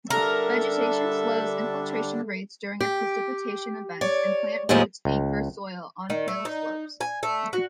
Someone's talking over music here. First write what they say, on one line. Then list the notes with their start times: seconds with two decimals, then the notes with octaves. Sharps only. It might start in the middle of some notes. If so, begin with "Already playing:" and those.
Vegetation slows infiltration rates during precipitation events and plant roots anchor soil on hillslopes.
0.10 D3 G3 D4 A4 A#4 E5
2.81 G4
4.01 C#5 D5
4.69 D#2 A2 F3 G#3 D#4
5.05 C#2
6.10 D#3
6.28 A3
6.45 D#4
7.01 G#5
7.23 A3
7.53 F#4